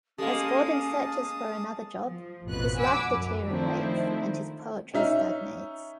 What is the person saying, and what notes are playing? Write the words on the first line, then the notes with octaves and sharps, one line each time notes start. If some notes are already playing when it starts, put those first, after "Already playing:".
As Gordon searches for another job, his life deteriorates, and his poetry stagnates.
G#3 A#3 C#4 G4 A4 F5 A5 D#6
F3
A1 F2 B2 B4 F#6
F#5 G#5 B5 D6 E6
F#2
D#3 F3 A3 C4 D4 E4
C#4 D#4 E5